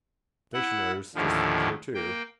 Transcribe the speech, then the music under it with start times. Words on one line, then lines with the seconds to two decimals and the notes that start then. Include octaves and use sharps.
Stationer's just here too.
0.54 E4 F#5
1.15 D#2 A2 D3 F3
1.95 A#3 G5